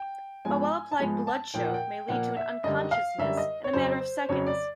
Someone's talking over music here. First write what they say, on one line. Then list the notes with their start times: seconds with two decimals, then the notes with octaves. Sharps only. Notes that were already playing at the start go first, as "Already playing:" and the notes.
A well applied blood choke may lead to unconsciousness in a matter of seconds.
Already playing: G5
0.45 G#2 F3 G#3 B3 G#5
0.92 A5
0.99 G#2 F3 G#3 B3 G#5
1.27 A5
1.54 A#2 F3 A#3 G5
1.65 F#5
1.74 G5
2.09 A#2 F3 A#3 F#5
2.37 E5
2.64 F#2 D3 G3 D#5
2.91 F5
3.18 F#2 D3 G3 E5
3.38 D#5
3.64 C#5
3.73 F2 C#3 F#3 C5
4.29 F2 C#3 F#3 C#5
4.46 D5